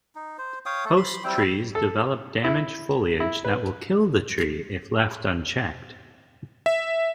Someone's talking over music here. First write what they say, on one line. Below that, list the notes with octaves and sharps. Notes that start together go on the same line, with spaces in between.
Host trees develop damaged foliage that will kill the tree if left unchecked.
D#4
C5
C#5 F5 G5 D#6
A3 A4
B5 C6
G3 C4 E4 G5
A4
E4
E4
B4
E5